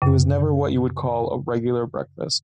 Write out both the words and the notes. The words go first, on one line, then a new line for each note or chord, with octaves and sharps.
He never has what you would call a regular breakfast.
F#2 C#3